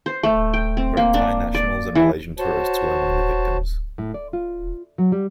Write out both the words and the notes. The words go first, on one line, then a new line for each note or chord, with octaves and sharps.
Both Thai nationals and Malaysian tourists were among the victims.
C5
A3
G5
C4
A#3
D4
D5
E3
F#4 C5 C#5 A5
A2
D5
F4
F#3
G3